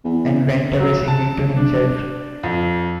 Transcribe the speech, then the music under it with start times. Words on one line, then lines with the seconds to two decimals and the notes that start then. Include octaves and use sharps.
And went away singing to himself.
0.04 E2
0.80 F#3
1.08 A5
1.56 D4
2.43 F2